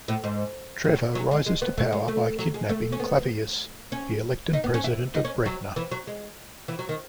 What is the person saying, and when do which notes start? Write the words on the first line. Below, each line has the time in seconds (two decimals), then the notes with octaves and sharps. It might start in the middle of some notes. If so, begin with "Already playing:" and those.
Trevor rises to power by kidnapping Clavius, the elected president of Bregna.
0.08 A2
0.24 G#2
0.85 A2
1.15 F#3
1.31 G#3
1.46 G#3
1.62 B3
1.77 A3
1.92 G#3
2.08 A3
2.38 F#3
2.54 G#3
2.69 A3
2.92 C#4
3.00 B3
3.92 C#4
4.53 D#4
4.64 B3
4.74 C#4
4.84 E4
5.15 D#4
5.25 C#4
5.45 F#3
5.76 E3
5.91 F#3
6.07 G#3
6.68 E3
6.79 F#3
6.89 D#3